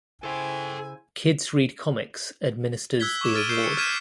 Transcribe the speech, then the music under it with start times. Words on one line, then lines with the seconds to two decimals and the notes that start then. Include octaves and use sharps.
Kids Read Comics administers the award.
0.24 C#3 E4 A4 C5 G5 G#5
3.00 E6 F#6 G#6 B6 G7
3.21 C#6 D6 E7
3.34 E6 F6 A6 D7 D#7
3.49 E6 G6 C7 G7
3.63 C#7
3.77 F6 F#6 G#6 B6 D#7 E7